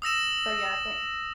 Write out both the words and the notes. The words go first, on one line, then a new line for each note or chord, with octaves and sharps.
So yeah, but
D#6 E6 A#6 E7